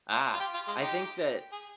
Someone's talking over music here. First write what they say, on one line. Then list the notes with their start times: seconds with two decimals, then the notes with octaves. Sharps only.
Ah. I think that
0.12 F4
0.33 F4
0.40 G4
0.54 F4
0.68 G#3
0.82 D#4 G4
1.52 G#4